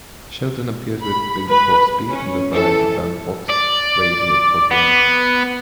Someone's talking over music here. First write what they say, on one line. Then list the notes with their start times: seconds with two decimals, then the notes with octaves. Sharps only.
Shelton appeared with Bing Crosby on the "Variety Bandbox" radio programme.
1.02 B5
1.47 B4 B5
2.12 C#4
2.51 E3 A4
3.49 D5
4.71 B3